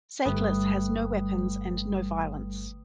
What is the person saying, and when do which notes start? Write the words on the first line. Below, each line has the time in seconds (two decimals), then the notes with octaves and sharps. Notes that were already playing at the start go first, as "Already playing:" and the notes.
"Seiklus" has no weapons and no violence.
0.25 G1 G3 A3 B4 D#6